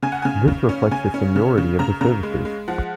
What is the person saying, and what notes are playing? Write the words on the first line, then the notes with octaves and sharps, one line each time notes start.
This reflects the seniority of the services.
C#3 G#5
F#5
C#3 G#5
C#3
C#4
C#3 G#5
C#4
C#3
C#3
C#3 A#5
C#3 A#5
G#3
G#3
F3 F#5